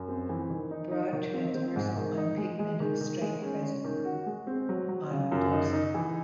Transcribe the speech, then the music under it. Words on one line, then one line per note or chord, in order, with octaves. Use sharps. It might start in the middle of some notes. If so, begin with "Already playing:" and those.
Broad transversal unpigmented stripe present on dorsum.
Already playing: F#2
C4
E3
D#3
D#4
D#4
D#3
C4
C4
G#2
D#3
D#4
G#3
G#3
D#3
D#3
G#3
C#4
C#4
D#3
F#4
G#3
C4
F#3
F#3
C#3
F#2
D#4
D#4
E3